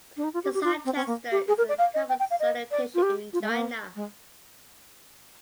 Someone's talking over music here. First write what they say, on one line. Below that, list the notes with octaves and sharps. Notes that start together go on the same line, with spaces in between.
This hand gesture is a common salutation in China.
D4
D#4
F4
G4
G4
F4
C4
C4
A#3
G4
G#4
A#4
D5
F5
D#5
G5
G5
F5
D#5
D5
F4
G4
F4
G#3
A#3
G#3